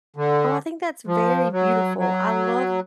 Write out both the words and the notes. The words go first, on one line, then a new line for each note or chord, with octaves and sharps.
oh, I think that's very beautiful, I love
D3
F3
F#3
F#3